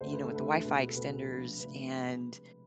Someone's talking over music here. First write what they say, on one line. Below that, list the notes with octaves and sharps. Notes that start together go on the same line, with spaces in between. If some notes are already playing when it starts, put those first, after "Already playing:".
you know, with the Wi-Fi extenders, and,
D2 D3 A3 C5
B4
A4
D2 D3 A3 B4
B2 G#3 C4 B4
A4
B2 G#3 C4 B4
C3 F3 A3 D4
C3 F3 A3 D4 B4
C3 G#3 C4